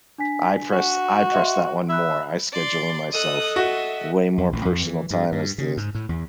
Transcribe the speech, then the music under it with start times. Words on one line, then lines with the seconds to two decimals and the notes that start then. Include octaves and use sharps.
I press I press that one more, I schedule in myself way more personal time as the
0.18 D4 G#5 B6
0.73 F#4
1.32 D#5 E5 C6
1.89 E5 B5 F#6
2.52 D5 C6
3.13 A4 D#5 D#6 F#6
3.56 F#4 E5
4.38 F2
4.53 A1
4.65 F2
4.82 E3
5.11 G2
5.32 G2
5.58 C#3
5.77 G#2
5.95 A2
6.09 E2